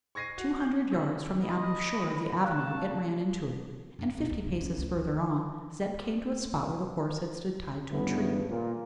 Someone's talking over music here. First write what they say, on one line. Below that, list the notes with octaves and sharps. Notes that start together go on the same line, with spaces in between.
Two hundred yards from the embouchure of the avenue, it ran into it; and fifty paces further on Zeb came to a spot where the horse had stood tied to a tree.
C#6 G#6 A#6 C7 D#7
F#4
G6
A2 C3 D#3
D#5 B5
A3 F5 A5 C#6 F#6
G2
D#1
D2
C#3
C#4
D2
G2 C#3 E3 A3 B3
A#2